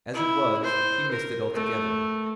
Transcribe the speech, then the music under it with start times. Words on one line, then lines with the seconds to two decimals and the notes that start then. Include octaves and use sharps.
As it was, he missed it altogether.
0.14 E4
0.64 C5
1.11 A#4
1.54 A3